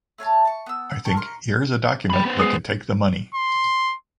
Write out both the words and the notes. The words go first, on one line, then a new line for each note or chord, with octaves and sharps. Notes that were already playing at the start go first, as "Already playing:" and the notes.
I think here is a document that can take the money.
A3 C#5 F5 A5
A5 C#6
B3 E6
G4 A5 C#6
A#4 C6 C#6
G5 B5
B3 C5
G#3 D#6 C7
C6